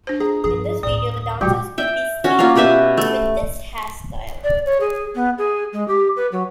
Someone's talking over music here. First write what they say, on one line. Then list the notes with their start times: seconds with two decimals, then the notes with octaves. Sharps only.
In this video, the dancers could be seen with this hairstyle.
0.07 D4 C5
0.20 G#4 A#5
0.44 G2 F3 G#4
0.83 D2 A2 D5 D#6
1.41 A#2 F#3 G#3 F#4 G4
1.78 E5 G5
2.24 C#4 F#4
2.39 A#3 C#4 F4 F5
2.56 B2 G4 B4 E5
2.97 A3
4.44 D5
4.65 C#5
4.81 G#4
5.15 B3
5.38 G#4
5.73 G#3
5.88 G4
6.16 B4
6.32 F#3